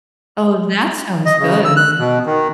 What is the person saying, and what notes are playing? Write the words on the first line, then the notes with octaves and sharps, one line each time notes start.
Oh, that sounds good.
D#5
C#3
E6
F#6
B2
D#3